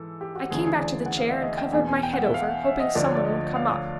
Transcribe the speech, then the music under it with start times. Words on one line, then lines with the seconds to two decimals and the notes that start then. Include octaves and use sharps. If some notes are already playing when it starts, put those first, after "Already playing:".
"I came back to the chair and covered my head over, hoping some one would come up."
Already playing: G#2 E3 A4
0.21 G4
0.35 F#4
0.50 D2 C#3 E3 G#4
0.66 G#4
0.81 D5
1.06 F#5
1.18 F5
1.30 E5
1.42 D#5
1.57 G5
1.73 E2 B2 G#5
1.88 G#5
2.03 G5
2.13 F#5
2.23 E5
2.34 F5
2.64 E5
2.80 D#5
2.95 D2 D3 F3 D5
3.05 C#5
3.15 D5
3.25 D#5
3.56 F5